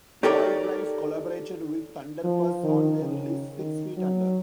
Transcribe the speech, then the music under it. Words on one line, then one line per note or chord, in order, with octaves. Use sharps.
Widelife collaborated with Thunderpuss on their release "Six Feet Under".
D#4 G4 A4 A#4 C#5 D5
F3
D#3
C#3
D#3
F#3